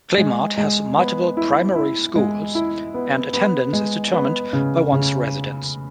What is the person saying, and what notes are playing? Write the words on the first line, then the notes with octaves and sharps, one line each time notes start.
Clamart has multiple primary schools, and attendance is determined by one's residence.
G#3
G#3
B3
E4
E4
G#3
E4
B3
B3
G#3
B3
C#3
C#3